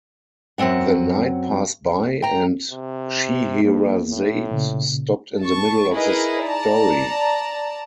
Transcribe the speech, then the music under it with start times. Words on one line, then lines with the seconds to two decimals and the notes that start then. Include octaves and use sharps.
The night passed by, and Scheherazade stopped in the middle of the story.
0.58 F#2 F#3 C4 D4 F#5
2.22 G5 A#5
2.71 C3
3.64 F2 A#3
4.11 A2
4.51 A#2 C#3
5.41 A5 C#6
5.93 D#4 E4 G#4 A#4 B4 D#5
6.43 D5 A5 A#5